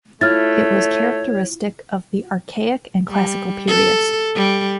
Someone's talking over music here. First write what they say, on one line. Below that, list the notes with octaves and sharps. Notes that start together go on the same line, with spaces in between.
It was characteristic of the Archaic and Classical periods.
A3 E4 F4 C#5 F6 A6
G3
A4
G3